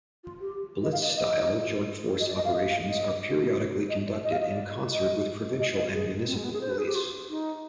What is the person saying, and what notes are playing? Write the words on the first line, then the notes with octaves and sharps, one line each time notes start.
Blitz-style joint force operations are periodically conducted in concert with provincial and municipal police.
F4
G4
D#5
F5
D#5
D5
D#5
D#5
D5
D#5
F5
D#5
F5
D#5
D#5
D5
D#5
F5
D#5
D5
D#5
D#5
D#5
G#4
C4
G#3
B3
G#4
C5
B4
G#4
G4
F4
D#4